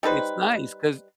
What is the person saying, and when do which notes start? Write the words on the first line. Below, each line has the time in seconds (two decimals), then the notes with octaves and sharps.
it's nice 'cause
0.03 G3 D#4 B4 C5